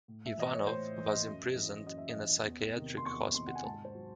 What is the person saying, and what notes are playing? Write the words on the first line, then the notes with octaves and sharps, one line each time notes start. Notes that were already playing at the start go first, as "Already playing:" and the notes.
Ivanov was imprisoned in a psychiatric hospital.
A2
E5
E3 D#5
C#5
A2 C5
E3
D#5
F#2
E3
F#2 D#5
E5
D#5
E3
E2
C3 D#3
C6
E2 C#6
C3 D#3 C6
F#5
G#5
G#2 A5
C5
F#3